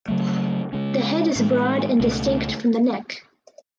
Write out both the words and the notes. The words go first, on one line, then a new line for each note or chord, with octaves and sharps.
The head is broad and distinct from the neck.
C#3 F#3 A3
C#3 G#3 C#4
A2 E3 G#3
C#2 B2 A3 C#4